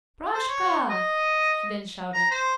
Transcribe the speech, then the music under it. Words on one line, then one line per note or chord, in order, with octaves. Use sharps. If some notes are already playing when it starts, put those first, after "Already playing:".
"Proshka!" he then shouted.
C5
C#5
D#5
A#5
C5